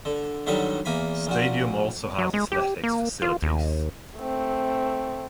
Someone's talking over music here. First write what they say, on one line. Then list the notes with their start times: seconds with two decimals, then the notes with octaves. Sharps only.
The stadium also has athletics facilities.
0.05 D3
0.47 D3 D#3 F#3 G3 B4
0.85 E2 A#3 G#5 B5
1.27 A#1 A#2 F#4
2.19 F#3
2.34 G#3
2.52 G4
2.83 A#3
3.22 F4
3.43 D#2
4.19 A3 C4